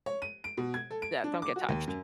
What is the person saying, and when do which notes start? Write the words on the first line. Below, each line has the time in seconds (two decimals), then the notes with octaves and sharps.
that don't get touched.
0.06 C#5
0.22 D#7
0.44 D7
0.57 B2
0.74 G#6
0.91 A4
1.02 D7
1.24 D4
1.42 D6
1.56 F#4
1.69 D#2
1.87 F#2